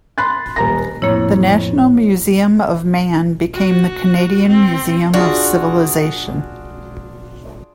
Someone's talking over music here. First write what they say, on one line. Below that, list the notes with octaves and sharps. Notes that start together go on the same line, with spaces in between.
The National Museum of Man became the Canadian Museum of Civilization.
B5 C6 F#6 A6
D#1 A#5 A#6
F2 A2 A#3 E4 C#5
F#4
C4
D4 F4 F#4 G#4